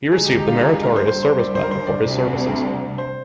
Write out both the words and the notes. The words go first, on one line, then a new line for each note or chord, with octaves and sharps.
He received the Meritorious Service Medal for his services.
D3 G#3 D#4 G#4
G4
G4
F4
G4
G#4
G#4
A#4
C5
D#2 D3 G3 C5
C5
D5
C5
A#4
C5
D5
D2 C3 G3
C5